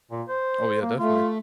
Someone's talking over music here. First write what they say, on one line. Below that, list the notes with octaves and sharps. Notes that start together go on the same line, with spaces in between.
Oh yeah, definitely.
A#2
C5
A#3
A3 F4